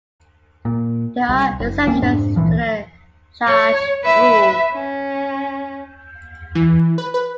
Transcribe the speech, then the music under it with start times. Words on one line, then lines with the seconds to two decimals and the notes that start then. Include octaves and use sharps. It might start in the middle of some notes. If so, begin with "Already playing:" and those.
There are exceptions to the Tarrasch rule.
0.65 A#2
1.29 C2
1.60 F#1
1.87 D#1 A#3 C4 C#4
2.02 F2 G#2 C3 D4
2.36 C#2 A#2 E3 F3
3.47 C#5
4.03 B4 E5
4.73 C#4
6.55 E3
6.98 B4
7.14 B4